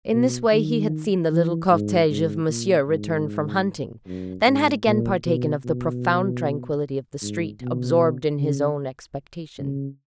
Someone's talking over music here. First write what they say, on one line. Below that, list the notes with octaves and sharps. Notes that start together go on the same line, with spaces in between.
In this way he had seen the little cortege of Monsieur return from hunting, then had again partaken of the profound tranquillity of the street, absorbed in his own expectations.
B2
D#3
E3
G#2
G#2
A#2
G#2
F#2
G#2
A#2
B2
B2
G#2
B2
C#3
C#3